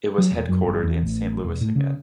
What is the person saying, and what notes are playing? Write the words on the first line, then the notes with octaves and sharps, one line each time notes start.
It was headquartered in Saint Louis again.
F#3
E1
F#2
G1
E2
A1
E1
A2
C#3